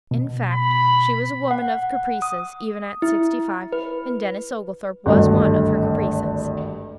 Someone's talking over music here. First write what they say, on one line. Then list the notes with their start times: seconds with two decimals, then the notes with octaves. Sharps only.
In fact, she was a woman of caprices even at sixty-five, and Denis Oglethorpe was one of her caprices.
0.11 B2
0.52 B5
1.51 F#5
2.22 D#6
3.02 E4
3.72 B4
5.06 G#1 D2 G2 D#5